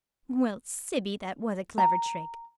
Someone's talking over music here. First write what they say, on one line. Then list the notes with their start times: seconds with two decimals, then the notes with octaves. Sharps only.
Well, Sibby, that was a clever trick!
1.78 A#5